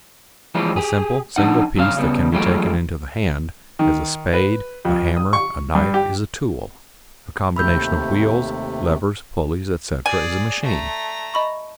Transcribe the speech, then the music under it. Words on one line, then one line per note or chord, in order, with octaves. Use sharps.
A simple, single piece that can be taken into the hand, as a spade, a hammer, a knife, is a tool; a combination of wheels, levers, pulleys, etc., is a machine.
E3 F3 G3 G#3 E4 G4
G4 G#4
F3 D4 D#4 F#5
F#2 C3 G#4 F5
C#3 G3 B3
E3 F#3 G#3 A3 F4 G4
D#3
B4
F2
D#6
C#6
G2
G4
D#2 C3 A3 B5 E6 G6
G#4 D5 G#5
A3 A#5
D#5 B5 C#6